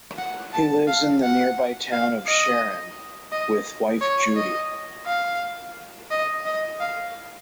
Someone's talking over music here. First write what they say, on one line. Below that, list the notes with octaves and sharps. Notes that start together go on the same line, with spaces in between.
He lives in the nearby town of Sharon, with wife Judy.
F#5
A5
F5
F#5
F5
D#5
D#5
C#5
D#5
F5
D#5
D#5
F5